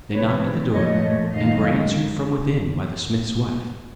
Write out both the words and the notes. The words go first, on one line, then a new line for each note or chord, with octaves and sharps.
They knocked at the door, and were answered from within by the smith's wife.
C3 F3 A3 C4 B4 C#5
A#2 F3 A3 C#5 D#5
F#2 D#3 G#3 D#5 F5